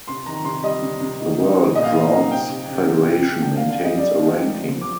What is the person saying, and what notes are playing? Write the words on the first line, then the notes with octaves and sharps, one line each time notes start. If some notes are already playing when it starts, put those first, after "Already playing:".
The World Draughts Federation maintains a ranking.
C3 C6
D#3 A#5
C3 C6
G3 D#5
C3
C3
D#4
D#4
G3
A#2 D#5
F5
C4 D#5
A#5
D#4
C3 G5
C3
C3
C3
C3
C3
D4 G5
D4 F5
F5
G3 D#5
G3 D5
D4
D#5
G3
F3
F3
D6